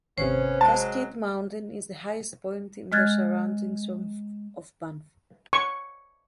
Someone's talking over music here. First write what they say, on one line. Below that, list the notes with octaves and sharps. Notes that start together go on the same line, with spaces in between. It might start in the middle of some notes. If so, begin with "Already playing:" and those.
Cascade Mountain is the highest point in the surroundings of Banff.
G#1 C3 B3 C#4 C5
F#3 G#3 A5
G#3 D#5 F6 F#6 G#6 A6
C#6